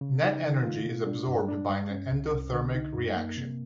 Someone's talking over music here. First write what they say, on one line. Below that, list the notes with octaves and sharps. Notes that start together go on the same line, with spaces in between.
Net energy is absorbed by an endothermic reaction.
C#3
D#4
D#3
F4
B2
D4
G2
D4
G2
C#4
C2
C2
D3
D#4
F#2
A#3
C3